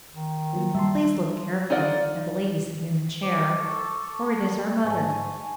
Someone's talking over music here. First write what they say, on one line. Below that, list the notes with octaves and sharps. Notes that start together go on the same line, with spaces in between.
Please look carefully at the lady sitting in the chair, for it is our mother.
D#3
F3 F#3 A#3
G3 E5 A5 C6
D#4 F4 D5 F5 F#5
C5 D6
A4 C#6
G#2 G#5 A5 C#6